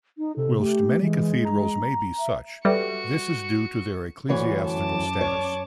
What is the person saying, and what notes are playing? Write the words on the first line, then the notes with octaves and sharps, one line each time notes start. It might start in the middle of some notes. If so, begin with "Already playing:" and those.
Whilst many cathedrals may be such, this is due to their ecclesiastical status.
D#4
C3 A4
A3 G4
E3 G#3
A#5
E5
G3 F#4 A4 B4 E5 C#7
D2 E3 C#5
F#2 A5 D6
C#5